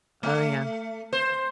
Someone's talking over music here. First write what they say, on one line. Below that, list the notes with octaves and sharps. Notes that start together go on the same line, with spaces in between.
Oh, yeah.
A3
C5